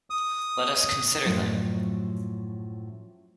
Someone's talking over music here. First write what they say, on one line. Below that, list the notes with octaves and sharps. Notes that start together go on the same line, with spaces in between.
Let us consider them!
D#6
F#2 A2 F3 F#3